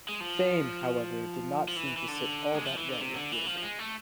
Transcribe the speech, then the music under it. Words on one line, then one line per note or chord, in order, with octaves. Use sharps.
Fame, however, did not seem to sit all that well with Regan.
G#3
F3
F3
E3
E3
D3
G#3
F3
E3
D3
C3
D3
E3
F3
F3
G#3
A3